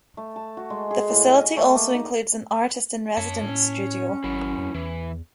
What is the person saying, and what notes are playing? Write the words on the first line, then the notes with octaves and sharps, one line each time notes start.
The facility also includes an artist-in-residence studio.
A3
A5
F#4
G#3
G#4
A2
G#5
D#5
A3
A#3
D#4
F#2 C#5 A5
A2 C#4
G#1 F#3 E4
F2
E2 E3